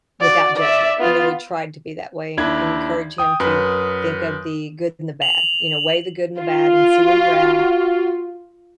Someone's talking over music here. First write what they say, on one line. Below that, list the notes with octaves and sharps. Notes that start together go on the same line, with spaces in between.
without judgment, you know, we try to be that way and and encourage him to think of the good and the bad, you know, "weigh the good and the bad and see where you're at
F#4 D5
D5 E5
B3 F4
D#2 D4 E4 G#6
G5 D#6
F#2 B4
F7 F#7
F4
F#4